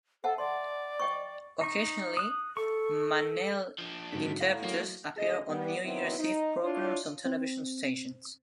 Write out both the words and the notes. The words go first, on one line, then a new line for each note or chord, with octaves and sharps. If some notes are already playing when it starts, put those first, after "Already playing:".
Occasionally, manele interpreters appear on New Year's Eve programs on television stations.
A4 E5 F#5 A5
D5 C6
D#5 G5 C#6
D#4 C#6
D#6 F#6
A4 C#6
F3 D4
D#1 G#2 D3 F#3 B6
A2 F5 F#5 A#5
A2 F#3 A#3
D2 G#4 D#5
G3 B3
D#3 F#3 B3 C4 E4
D#4
D4 E4 F4 C#5
C4